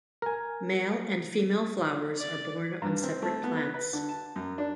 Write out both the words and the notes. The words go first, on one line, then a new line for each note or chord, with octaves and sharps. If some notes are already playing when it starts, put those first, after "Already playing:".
Male and female flowers are borne on separate plants.
A#4 G#5
D5
G2
C4
A3
B3
B4
B4
D3
A5
F#2
D4